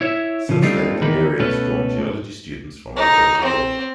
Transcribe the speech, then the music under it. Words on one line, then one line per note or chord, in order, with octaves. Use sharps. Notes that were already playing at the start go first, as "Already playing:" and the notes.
Since then the area has drawn Geology students from all over the world.
E4 C#5 E5
C#3 F3
G3 A3 C4 D4 D#4 F4
E2 D#3 A#3 D#4 B5
B2 A3 C#4 A4 B4
D#4
C4